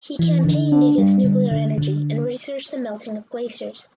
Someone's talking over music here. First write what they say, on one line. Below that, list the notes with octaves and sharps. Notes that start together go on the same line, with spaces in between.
He campaigned against nuclear energy and researched the melting of glaciers.
E3
D3
D4
G3
D3
D3
D3